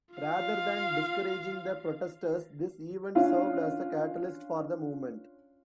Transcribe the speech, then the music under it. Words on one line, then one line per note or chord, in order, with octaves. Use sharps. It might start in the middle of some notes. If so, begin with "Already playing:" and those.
Rather than discouraging the protesters, this event served as a catalyst for the movement.
F4 F5
C#4 D4 F4 F5